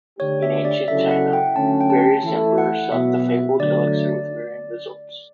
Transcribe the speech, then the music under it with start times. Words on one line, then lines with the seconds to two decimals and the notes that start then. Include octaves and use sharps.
In ancient China, various emperors sought the fabled elixir with varying results.
0.19 D3 A3 D4 G4 C#5
0.42 E5
0.65 D5
0.87 C#3 F#3 C#4 E4 A4 E5
1.11 F#5
1.33 G5
1.56 D3 F#3 A3 C#4 A5
1.81 G5
1.90 A5
2.23 E3 A3 E4 A4 A5
2.58 F#5
2.92 B2 F#3 B3 F#4 E5
3.59 D3 F#3 A3 D5